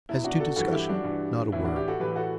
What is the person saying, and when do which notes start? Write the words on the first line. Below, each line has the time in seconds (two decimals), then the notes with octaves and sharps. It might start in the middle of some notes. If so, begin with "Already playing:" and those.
As to discussion--not a word.
0.09 E2 B2 E4
0.24 D4 F#4
0.40 F#4 A4
0.56 G2 E3 F#4 A4
0.72 E4 G4
0.89 D4 F#4
1.04 G2 E3
1.52 A2 E3 E4
1.65 D4 F#4
1.76 E4 G4
1.88 F#4 A4
2.00 A2 E3 G4 B4
2.16 F#4 A4